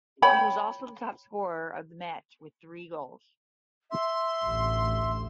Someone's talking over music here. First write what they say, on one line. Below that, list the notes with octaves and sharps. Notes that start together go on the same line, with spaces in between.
He was also the topscorer of the match with three goals.
C#5 G5 B5
E5 C6
A1 D2